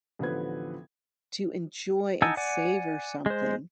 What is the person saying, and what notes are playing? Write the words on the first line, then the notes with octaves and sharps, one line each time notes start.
to enjoy and savor something,
A1 D3 F3 B3 B4 G#6
D#4 F#5 G#5 A5 E6
D5 F#5 G#5
G#3 C5